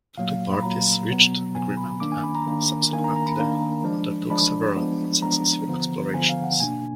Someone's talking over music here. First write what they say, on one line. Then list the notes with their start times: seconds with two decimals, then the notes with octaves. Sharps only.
The two parties reached agreement and, subsequently, undertook several unsuccessful explorations.
0.18 A#2 F#3 A#3 F5
0.52 B5
0.63 A#2 F#3 A#3 A#5
1.10 B2 F#3 B3
1.55 B2 F#3 B3 G#5
1.77 B5
2.00 D#3 A#3 D4 D6
2.12 G#5
2.24 B5
2.35 A#5
2.46 D#3 A#3 D4
2.92 D#3 A#3 D4 G#5
3.04 A#5
3.16 A#5
3.26 B5
3.39 D#3 A#3 D4
3.84 F3 G#3 D4
4.30 F3 G#3 D4 B5
4.76 F3 G#3 B3 D4
5.22 F3 G#3 B3 D4 A#5
5.68 D3 F3 B3
6.14 D3 F3 B3 G#5
6.29 F5
6.44 F#5
6.59 B2 A#3 D4 G#5